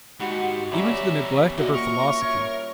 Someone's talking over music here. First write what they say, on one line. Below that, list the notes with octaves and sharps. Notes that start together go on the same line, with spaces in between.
Even to the neglect of her philosophy.
G#2 D#3 F#4 G4 F#5 B5
E2 G3 C#4 E5 A#5 D6
D#2 A#2 F#4 D#5 E5
A#4 C#6
C#5